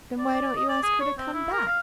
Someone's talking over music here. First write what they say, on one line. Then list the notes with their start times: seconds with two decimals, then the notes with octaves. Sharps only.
"Then why don't you ask her to come back."
0.19 D5
0.34 D5
0.56 D#5
0.69 D5
0.83 G#4
1.01 C#5
1.18 C4
1.33 E4
1.52 A#4
1.67 F5